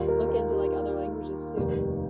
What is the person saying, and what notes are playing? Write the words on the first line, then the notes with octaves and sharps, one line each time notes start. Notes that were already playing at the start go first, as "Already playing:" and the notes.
look into, like, other languages too.
Already playing: D#2 D#3 G3 F4
A#4
G4
A#4
G4
F1 D#2 D#3 G3